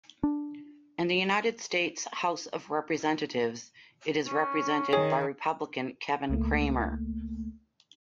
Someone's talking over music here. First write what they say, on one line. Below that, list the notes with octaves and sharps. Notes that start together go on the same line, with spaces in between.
In the United States House of Representatives it is represented by Republican Kevin Cramer.
D4
C#4
D#3 G#4 C#5
C#2 A3 A#3